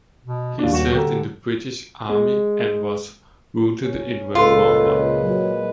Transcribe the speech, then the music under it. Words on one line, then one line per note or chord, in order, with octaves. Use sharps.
He served in the British Army and was wounded in World War One.
B2
D#2 D4
D#1 F#4 E7
D3 G4 A4 A#5
G#3
C#4
C#2 A#2 G#3 F4 A4 B4
F#3